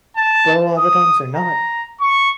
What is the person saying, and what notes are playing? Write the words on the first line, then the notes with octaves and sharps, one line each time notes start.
But a lotta the times they're not.
A5
D#6
A#5
C#6